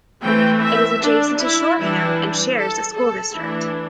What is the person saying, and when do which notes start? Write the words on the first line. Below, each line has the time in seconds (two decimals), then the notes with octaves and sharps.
It is adjacent to Shoreham and shares a school district.
0.23 E3 A3 C4 G5
0.62 E5
1.02 D4
1.40 E4
1.80 E3 G3 D4 E4
2.58 A4
2.96 A4
3.35 E3 A3 D4 E4